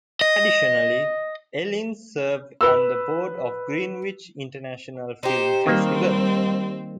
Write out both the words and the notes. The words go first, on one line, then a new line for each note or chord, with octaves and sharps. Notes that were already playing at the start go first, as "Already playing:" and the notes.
Additionally, Ellin serves on the board of the Greenwich International Film Festival.
D#5
B4 E6
D#4 G4 C5
D#3 G3 A#3 C4